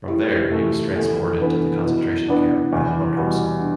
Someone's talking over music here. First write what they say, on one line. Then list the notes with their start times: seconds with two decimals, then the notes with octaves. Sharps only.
From there, he was transported to the concentration camp at Mauthausen.
0.08 A2 G4
0.52 E3 A3
0.96 E2 A4
1.40 E3 B3 D4 B4
1.84 B2 E4
2.28 B3 D4
2.73 E2
3.16 B2 G3
3.60 D4